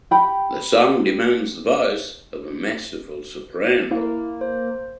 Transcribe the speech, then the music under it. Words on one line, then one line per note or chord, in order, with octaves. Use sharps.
The song demands the voice of a masterful soprano.
G4 G5 B5
A#3 E4
C5